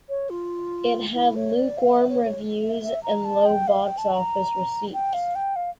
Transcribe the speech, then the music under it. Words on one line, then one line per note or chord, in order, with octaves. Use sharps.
It had lukewarm reviews and low box-office receipts.
C#5
F4
E4
C#5
D5
F5
E5
C#5
C#5
E5
E5
A#5
A5
G5
F5
G5
A5
A#5
G5
F5
G5
F5